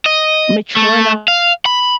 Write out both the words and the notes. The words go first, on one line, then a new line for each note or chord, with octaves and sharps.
mature enough
D#5
A3
F5
B5